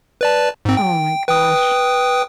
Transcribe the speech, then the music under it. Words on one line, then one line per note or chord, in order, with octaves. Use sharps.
Oh my gosh.
B4 D5 A5
G#2 C4
G5
B4 G5 D#6